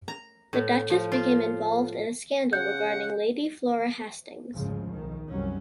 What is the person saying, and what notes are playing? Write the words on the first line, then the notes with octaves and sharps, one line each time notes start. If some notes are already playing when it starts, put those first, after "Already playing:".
The Duchess became involved in a scandal regarding Lady Flora Hastings.
A#5
A2
F3
F4
C#3 F#5 G6
G#1 D2 C#3 F3 G#3
B1 D#3
C2 F#2 F#3 G3 C#4